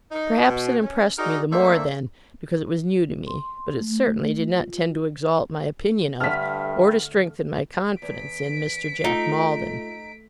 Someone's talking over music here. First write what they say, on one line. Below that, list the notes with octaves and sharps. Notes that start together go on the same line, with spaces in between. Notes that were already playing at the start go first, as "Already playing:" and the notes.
Perhaps it impressed me the more then, because it was new to me, but it certainly did not tend to exalt my opinion of, or to strengthen my confidence in, Mr. Jack Maldon.
D#4
B2
C#4
D#4 F#4 G#4 A#4 D5 D#5
A3 A#3 C4 C5 D5 E5
C6
A3
F4
G2 D3 A3 E5 F6 B6
E2 B6 D7
A3 D#4 F4